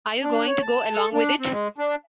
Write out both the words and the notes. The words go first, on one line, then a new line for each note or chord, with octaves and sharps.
Are you going to go along with it?
D4
C#5
A5
A4
D4
C4
G#3
D4